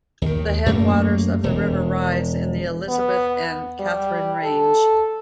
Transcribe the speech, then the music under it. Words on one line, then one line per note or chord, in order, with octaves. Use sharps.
The headwaters of the river rise in the Elizabeth and Catherine Range.
D#2 D#3
F#2 A3 A#3
E1
B3
G3
A4